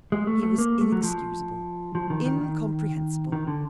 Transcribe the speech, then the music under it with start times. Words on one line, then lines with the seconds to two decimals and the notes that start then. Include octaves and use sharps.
He was inexcusable, incomprehensible!
0.12 G#3
0.27 A3
0.43 A3
0.58 A#3
0.81 A3
0.92 F#3
1.03 F3
1.95 F3
2.10 D#3
2.25 D#3
2.41 D#3
3.32 D#3
3.47 D3